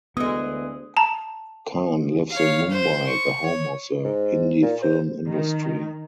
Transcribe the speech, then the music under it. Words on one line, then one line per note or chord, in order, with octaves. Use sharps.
Khan lives in Mumbai, the home of the Hindi film industry.
D2 E3 G#3 B3 D#6
A5 A#5
C#5 F5
C5
C#6
C#5
G#2
A#2
C5
D#3